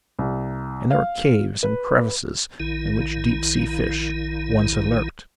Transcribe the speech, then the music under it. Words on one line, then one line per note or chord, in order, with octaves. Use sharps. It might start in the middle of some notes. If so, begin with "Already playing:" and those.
And there were caves and crevices in which deep sea fish once had lurked.
C2
F5
B4
A#1 D#3 E4